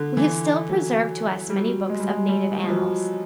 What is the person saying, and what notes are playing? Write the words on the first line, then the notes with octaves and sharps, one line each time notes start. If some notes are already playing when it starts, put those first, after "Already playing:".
We have still preserved to us many books of native Annals.
Already playing: D3
E3
F#3
G3
F#3
G3
G#3
G3
G#3
G3
F3
F#3